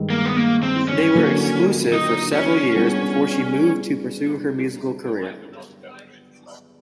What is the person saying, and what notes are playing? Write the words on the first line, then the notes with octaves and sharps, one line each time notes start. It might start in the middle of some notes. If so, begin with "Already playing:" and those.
They were exclusive for several years before she moved to pursue her musical career.
Already playing: G2 D#3 G#3
A#3
B3
A#3
C4
C#4
D3 F#3 A#3 D4
D#4
C#4
G3 B3 D4 F4 G#4